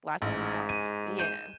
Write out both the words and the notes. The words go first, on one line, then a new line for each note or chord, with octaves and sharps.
last time we talked. Yeah.
A1 G#2
D#7
G6 D#7 E7